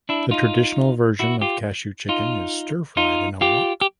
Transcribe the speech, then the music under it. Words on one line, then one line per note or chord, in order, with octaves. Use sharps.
The traditional version of cashew chicken is stir-fried in a wok.
D4 E4
D#4 F4
E4 F#4
F4 G4
D#4 F4
D#4 F4
F4 G4
G4